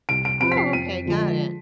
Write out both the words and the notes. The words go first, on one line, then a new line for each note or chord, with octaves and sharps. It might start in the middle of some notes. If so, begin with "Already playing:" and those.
Oh, okay, got it.
C2 D7
D7
C3 F3 C4 D7
B6
C7
F2 D#7
D3 F3 G#3